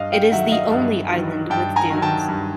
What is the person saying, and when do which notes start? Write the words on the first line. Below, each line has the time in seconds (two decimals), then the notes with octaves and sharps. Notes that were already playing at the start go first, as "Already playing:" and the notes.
It is the only island with dunes.
Already playing: G2 D#5 F5
0.12 F5 G5
0.24 G5
0.32 D#3 F#3 E5 F#5
0.52 D#5 F5
0.71 G2
1.11 D#3 F#3
1.50 G2 G5 A5
1.76 G#5 A#5
1.90 D#3 F#3
2.02 G5 A5
2.29 G2